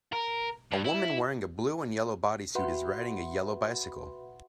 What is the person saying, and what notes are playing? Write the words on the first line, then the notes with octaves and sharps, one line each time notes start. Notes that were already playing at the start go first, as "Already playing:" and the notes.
A woman wearing a blue and yellow bodysuit is riding a yellow bicycle.
A#4
G2
E4
F#4 B4 E5 F#5 B5 C6